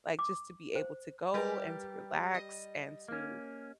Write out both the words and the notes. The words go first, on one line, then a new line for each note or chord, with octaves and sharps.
like, just to be able to go and to relax and to,
D6
C5
G3 G4 A#4 B4
D#5
A#3 C#4